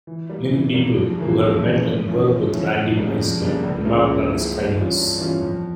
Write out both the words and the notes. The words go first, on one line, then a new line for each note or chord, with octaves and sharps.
Many people who have met and worked with Randy Meisner remark on his kindness.
E3
G3 A#3
E3
G3 A#3
F2
C#3 E3 A#3
F2
C#3 E3 A#3
F2
E3 A3 C#4 F4
F2
E3 A3 C#4 F4
F2
C#3 G3 A#3 D4
F2
C#3 G3 A#3 D4
C#2
C#3 F3 A#3 E4
C#2
C#3 F3 A#3 E4
G2
E3 G3 C#4 F4
G2
E3 G3 C#4 F4
F2